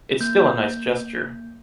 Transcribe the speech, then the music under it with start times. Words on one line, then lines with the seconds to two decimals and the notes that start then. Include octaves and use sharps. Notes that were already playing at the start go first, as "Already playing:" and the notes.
It's still a nice gesture.
0.20 A#3 G6